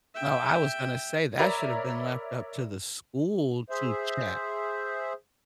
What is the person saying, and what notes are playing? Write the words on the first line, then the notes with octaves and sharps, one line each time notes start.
Oh, I was gonna say, that should've been left up to the school to check.
E5 G5
A#4 C#5 D5 E5 A#5 B5
G#4 C5 E5